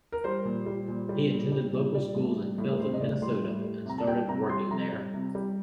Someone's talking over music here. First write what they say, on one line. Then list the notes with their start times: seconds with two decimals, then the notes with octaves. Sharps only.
He attended local schools in Felton, Minnesota and started working there.
0.12 A#4
0.24 G3 C5
0.45 A#2
0.66 G3
0.88 A#2
1.09 G3
1.31 A#2
1.52 G3
1.73 A#2
1.94 G3 D5
2.16 A2
2.37 G3
2.58 A2
2.71 A#4
2.80 G3 C5
2.93 D#5
3.01 A2 D5
3.22 G3 C6
3.44 A2
3.65 G3
3.86 C3 A#5
3.98 A5
4.07 G3 G5
4.28 C3 A#5
4.50 G3 C6
4.71 C3 A#5
4.92 G3
5.14 C3
5.35 G3